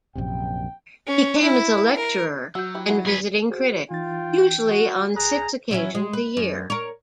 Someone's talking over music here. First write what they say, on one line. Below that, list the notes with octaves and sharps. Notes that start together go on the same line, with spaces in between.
He came as a lecturer and visiting critic, usually on six occasions a year.
A#1 F#2 C3 G5
C#4
E4
A#4
F#3 F#4 E6 G6
E4 G4
E4 F#5
G#4 B4 B5
F#4 G#4 C5
E3 D#4 F4 G5 A6
F#4
C2 G#4 A#5 D#6 F#6
F#3 C#4 E4
G#3
B4
F#2
A#4 C#5